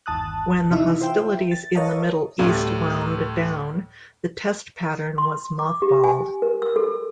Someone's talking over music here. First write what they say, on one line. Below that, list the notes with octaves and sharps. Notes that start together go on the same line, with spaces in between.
When the hostilities in the Middle East wound down, the test pattern was mothballed.
G1 D#2 A5 D#6 F#6
C3 E3 D#4 E4
F4 C5 E5 G5
A6
A#4 C#5 D#5 F5 A5
D2 A2 G3
C6
D6
G4
G#5
A#4
E6
A4